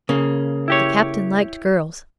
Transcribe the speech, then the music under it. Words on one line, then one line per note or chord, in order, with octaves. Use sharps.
The Captain liked girls.
C#3 A#3
E4 G4 C#5